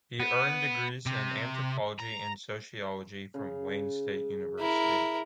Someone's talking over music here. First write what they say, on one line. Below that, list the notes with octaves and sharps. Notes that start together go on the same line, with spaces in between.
He earned degrees in anthropology and sociology from Wayne State University.
B3
C3
A#5
C#3
E4 A#4